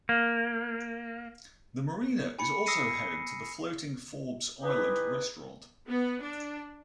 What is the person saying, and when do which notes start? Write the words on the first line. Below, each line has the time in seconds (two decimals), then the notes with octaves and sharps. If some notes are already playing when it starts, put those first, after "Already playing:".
The marina is also home to the floating Forbes Island restaurant.
0.09 A#3
2.39 G#5 B5 C#7
2.66 D#6 E6 A#6 C7 C#7 D#7
4.62 D#4 E4 G4 G#4 B4
5.88 B3
6.22 D4